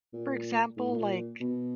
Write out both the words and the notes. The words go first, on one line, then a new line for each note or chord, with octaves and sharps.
For example, like
A#2
A2
A#2
B2